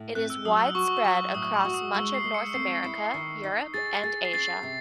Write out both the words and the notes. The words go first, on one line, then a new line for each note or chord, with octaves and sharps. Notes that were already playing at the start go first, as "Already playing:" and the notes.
It is widespread across much of North America, Europe and Asia.
Already playing: A2
C4 F#6
E6
F#3 D#6
E6
F#4 C#6
F#3 C#6
A2 D#6
C#6
F#4
D#6
G#3 E6
C7
G#3
C#7
C4 C7
E4
D#3
D#4
G#4 A6
G#4 A6
C7
C#4 A6
C3